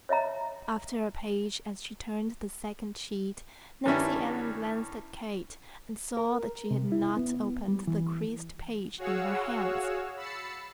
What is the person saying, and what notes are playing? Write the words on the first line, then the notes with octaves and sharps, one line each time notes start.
After a page as she turned the second sheet Nancy Ellen glanced at Kate, and saw that she had not opened the creased page in her hands.
C#5 D#5 E5 A#5
G2 D#3 G3 C#4 E4
A#4
C3
E4
B3
G3
E3
F#4 G#4 C#5 F5 F#5 E6
B5 E6 A6 C7 C#7